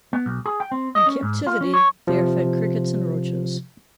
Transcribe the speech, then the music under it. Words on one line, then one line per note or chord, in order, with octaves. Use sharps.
In captivity they are fed crickets and roaches.
B3
B1
G#4
G5
C4
D#5
C#4
G#2
F4
C#4
C#5
C3 F3